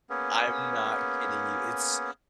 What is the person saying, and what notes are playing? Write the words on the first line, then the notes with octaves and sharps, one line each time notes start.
I'm not kidding you, it's
A#3 B3 C#4 G#4